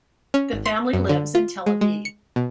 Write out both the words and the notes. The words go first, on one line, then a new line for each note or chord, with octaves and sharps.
The family lives in Tel Aviv.
C#4
G#1
C6
F#2
D3
F4
G#3
G#3
C#7
B2